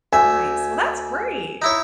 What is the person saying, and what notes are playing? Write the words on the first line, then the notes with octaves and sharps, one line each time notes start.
Nice. Well, that's great.
D2 E5 G#5
D#4 E4 C#5